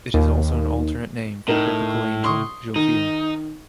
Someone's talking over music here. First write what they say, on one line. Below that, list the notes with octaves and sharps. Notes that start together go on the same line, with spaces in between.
It is also an alternate name for the biblical angel Jophiel.
D#2
A2 D#4 A#4
C6 C#6 D#6
D#3 D#4